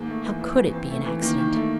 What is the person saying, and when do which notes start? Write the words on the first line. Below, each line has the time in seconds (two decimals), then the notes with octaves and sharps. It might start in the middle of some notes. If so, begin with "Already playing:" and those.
How could it be an accident?
Already playing: G#2 D#3 A#3
0.09 A3
0.24 E3
0.41 E3
0.58 E3
0.73 C4
0.90 A3
1.05 E3
1.22 D#3 A#3
1.38 D#3
1.55 A3